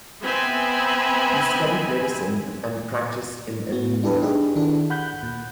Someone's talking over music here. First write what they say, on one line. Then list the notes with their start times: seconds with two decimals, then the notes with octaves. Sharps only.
He studied medicine, and practiced in Amenia.
0.24 B3 C4 E5 G#5 B5
3.72 B3 F#4
4.03 D4 E4 G4 A4 B4
4.22 D4 D#4 G4 G#4 B4
4.55 D#3 D4 E4 A4
4.90 F#5 B5 F#6 G6
5.23 A#2